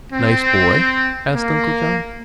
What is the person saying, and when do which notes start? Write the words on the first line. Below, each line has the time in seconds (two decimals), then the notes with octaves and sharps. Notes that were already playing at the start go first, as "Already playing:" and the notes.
"Nice boy?" asked Uncle John.
0.13 C4
1.33 A#3